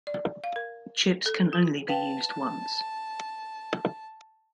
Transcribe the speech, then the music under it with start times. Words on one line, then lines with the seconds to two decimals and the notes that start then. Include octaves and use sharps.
Chips can be used only once.
0.07 D5
0.44 F5
0.56 A#4
1.26 A4
1.53 F4
1.88 B4 F5 G5 A5